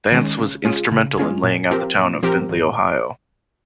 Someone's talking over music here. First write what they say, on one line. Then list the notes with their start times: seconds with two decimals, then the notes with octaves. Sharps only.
Vance was instrumental in laying out the town of Findlay, Ohio.
0.12 D#3 G#3 C#4
0.38 C#3
0.65 G#3 C#4 F4 G#4
0.92 C#3
1.18 G#3 C#4 F4 G#4
1.43 A#2
1.71 F3 C4 G4 A#4
1.97 A#2
2.23 F3 C4 G4 A#4
2.49 G#1